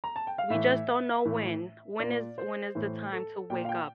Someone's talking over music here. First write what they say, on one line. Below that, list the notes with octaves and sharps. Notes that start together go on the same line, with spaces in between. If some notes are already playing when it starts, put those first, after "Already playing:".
We just don't know when, when is, when is the time to wake up?
A#5
A5
G5
F5
A2 E3 E5
A2 E3
A#2 D5
C5
A2 E3 C5
A4
A#2 G5
F5
G5